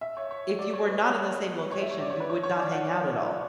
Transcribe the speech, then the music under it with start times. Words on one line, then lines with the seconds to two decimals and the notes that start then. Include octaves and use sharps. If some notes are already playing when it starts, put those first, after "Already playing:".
If you were not in the same location, you would not hang out at all.
0.01 E5
0.17 C#5
0.31 C#5
0.59 D5
0.74 C#5
0.87 B4
1.02 C#5
1.16 C#5
1.30 C#5
1.44 C#5
1.59 B4
1.72 C#5
1.82 E5
1.91 C#5
2.00 D5
2.10 C#5
2.20 B4
2.30 C#5
2.43 C#5
2.58 D5
2.72 F#5